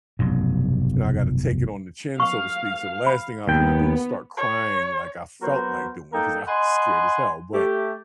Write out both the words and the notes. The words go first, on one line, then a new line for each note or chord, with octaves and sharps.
you know, I gotta take it on the chin, so to speak, so, the last thing I was gonna do was start crying like I felt like doing because I was scared as hell, but,
F1 B1 G2
F5 C#6
B5
D#2 B3 G5
C#5
F#3 B3 F#4 A#4 C5
A#3 D#4 A4 A#4 G5
D#5 F#5 G#5 B5 C6
A3 G4